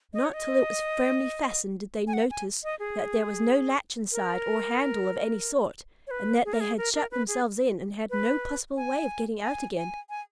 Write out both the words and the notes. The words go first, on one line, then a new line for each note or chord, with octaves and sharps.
Not till it was firmly fastened did they notice that there was no latch inside, or handle of any sort, and that they had shut themselves in, and had no possible way of getting out again.
D#5
C#5
D#5
G#5
F#5
G#5
D#5
G#4
A#4
C#5
B4
G#4
A#4
G#4
A#4
A#4
B4
G#4
B4
G#5
G#5
G#5
G#5